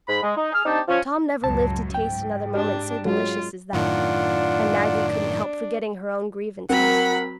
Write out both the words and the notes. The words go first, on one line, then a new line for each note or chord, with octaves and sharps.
Tom never lived to taste another moment so delicious as that; and Maggie couldn't help forgetting her own grievances.
G#2 B5
G#3
D#4
G#4 F6
C4 D4 D#4 G4 A5
F3 C#4
C#2 F#2 A2 A5
G#2 G5
D4 G4
F#3 G#3 F4
F#2 A2 D#3 D4 F4 F#5
F#3 C4 A#4 F#5 B5